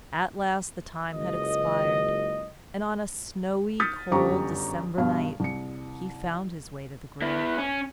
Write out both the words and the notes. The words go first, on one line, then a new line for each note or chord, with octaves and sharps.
At last the time had expired, and on a snowy, cold December night he found his way to the grave.
F#1 C#2 D#5
D#6 F6 G6 A6 B6 C#7
G1 F#2 G4 A#5 C#6
G2 B2 F5
C2 C#7
B3 E4
C#4